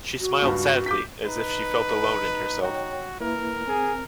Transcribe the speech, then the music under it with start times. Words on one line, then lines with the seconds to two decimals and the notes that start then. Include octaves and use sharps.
She smiled sadly, as if she felt alone in herself.
0.20 F#4
0.42 C#2 G2
0.86 D6 G6 B6
1.26 D#4 B4
2.62 F#4 C#5 F#5 G5
3.21 A#3 E4 A#4 B4
3.68 C4 G#4